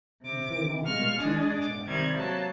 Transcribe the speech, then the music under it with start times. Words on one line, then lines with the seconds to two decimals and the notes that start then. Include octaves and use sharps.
Before long their teeth were chattering.
0.22 C3 D6
0.84 G3 G#3 F5 C#6 F6
1.14 G#3 D4 G#4
1.54 D6
1.86 C3 D#3 G3 G#6
2.16 F#3 A#3 A5